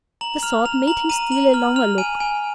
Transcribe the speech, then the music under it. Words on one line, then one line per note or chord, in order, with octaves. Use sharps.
The thought made him steal a longer look.
A#5 F#7
F6 F7
A#5 F7
A#5 F#7
A#5 D#7
A#5 F#7
F6 F#7
F6 F7
G#5 D#7
G#5